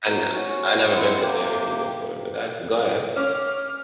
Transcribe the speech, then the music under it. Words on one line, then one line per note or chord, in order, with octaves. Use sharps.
And I never been to therapy before, but that's go ahead.
B2 A#4 G6
C#4 F#4
G#3 C4 E4 F#5
C3 A#3 G4
C#4 D6 F6